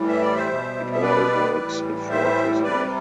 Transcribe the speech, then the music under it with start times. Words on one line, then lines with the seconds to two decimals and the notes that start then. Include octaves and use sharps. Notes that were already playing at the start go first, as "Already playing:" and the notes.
It all works effortlessly.
Already playing: A2 E3 G3
0.08 E5
0.21 D5
0.35 C5 E5
0.48 B2 G3
0.92 E5
1.02 B4 D5
1.56 A2 E3 G3
2.09 C5 E5
2.62 C3 G3 B4 D5